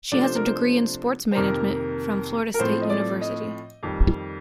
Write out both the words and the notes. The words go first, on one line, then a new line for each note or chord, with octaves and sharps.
She has a degree in sports management from Florida State University.
C3 F3 A3 D4 D5
C5
A#4
C5
C5
F2 C3 D#3 A#3 A#4
A#4
A2 F3 A3 C4 C5
D#5
D5
D#5
F2 D#3 G3